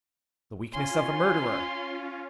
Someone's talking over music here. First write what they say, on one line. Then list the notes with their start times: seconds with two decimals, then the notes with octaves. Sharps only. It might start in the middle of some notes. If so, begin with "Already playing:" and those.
"The weakness of a murderer!"
0.74 C#4 F4 G#5 C6